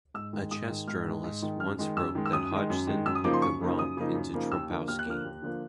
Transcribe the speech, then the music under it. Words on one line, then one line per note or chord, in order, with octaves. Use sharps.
A chess journalist once wrote that Hodgson put the 'romp' into Trompowsky.
G#2 E6
D#3 G#3
G#2 D#6
D#3 G#3
G#2 F6
D#3 G#3
G#2
D#3 G#3
F#2 F6
D#3 G#3
F#2 E6
D#3 G#3
E6
F#2 D#6
D#3 G#3
F#2
D#3 G#3
F#2 E6
D#6
C#3 F3 A#3 D#4 D6
C6
F#2 C#6
C#3 F3 A#3 D#4
F#2 D#6
C#3 F3 A#3 D#4
F#2
C#3 F3 A#3 D#4
D#2 E6
D3 F3 A#3
D#2 F6
F#6
D3 F3 A#3 F6
D#2
D3 F3 A#3